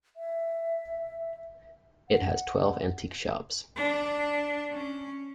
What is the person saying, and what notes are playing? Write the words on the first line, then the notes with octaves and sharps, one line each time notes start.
It has twelve antique shops.
E5
F#5
D4
C#4